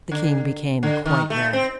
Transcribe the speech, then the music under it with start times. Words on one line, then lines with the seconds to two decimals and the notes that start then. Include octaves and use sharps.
The king became quite red.
0.12 D3
0.83 D3
1.06 D#3
1.30 A3
1.53 C4